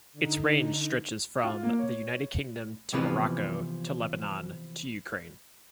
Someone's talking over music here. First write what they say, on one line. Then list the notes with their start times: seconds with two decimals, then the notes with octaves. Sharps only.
Its range stretches from the United Kingdom to Morocco to Lebanon to Ukraine.
0.12 D3 D#4
1.44 F4
1.63 A#3
1.79 C#5
2.93 C3 E3 F3 B3 B4